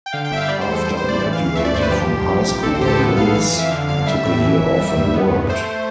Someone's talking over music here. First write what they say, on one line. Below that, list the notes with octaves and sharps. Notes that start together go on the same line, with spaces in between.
After graduating from high school, Willis took a year off and worked.
G5
D3 F5
G5
G1 E5
F5
G3 D5
C5
E2 A4
G3 C5
C5
A1
D5
E3 D5
F5
D2
F5
A3 E5
D5
G2 C5
B4
F3 G4
B1
F3
A1
C4 A4
C5
A2 G4
A4
B3 A4
B1 F5
E3 F5
F5
F2
E5
D3 F5
G1 F5
G3 E5
A2
E3
G1
G3
G2
B3
E2
A3 C5